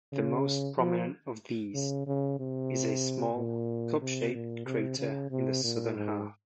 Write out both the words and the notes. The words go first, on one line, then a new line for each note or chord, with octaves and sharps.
The most prominent of these is a small, cup-shaped crater in the southern half.
C#3
F3
C#3
C#3
C3
A#2
C3
A#2
C3
C#3
C3
A#2
G#2